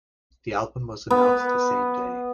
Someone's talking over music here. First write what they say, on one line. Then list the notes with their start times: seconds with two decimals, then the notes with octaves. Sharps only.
The album was announced the same day.
1.10 B3